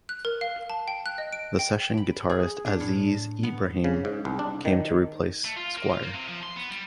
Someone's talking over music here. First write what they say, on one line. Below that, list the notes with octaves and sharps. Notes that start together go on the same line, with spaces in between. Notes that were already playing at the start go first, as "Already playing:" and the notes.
The session guitarist Aziz Ibrahim came to replace Squire.
F#6
A#4
F5
A5
G5
F#6
D#5
D7
G5
B5
G#4
D4
A2
B3
C#3
G#2
C2
D4
D#3
A3
F4
A#3
F4
A#3
C3
F3
C6
B3
G3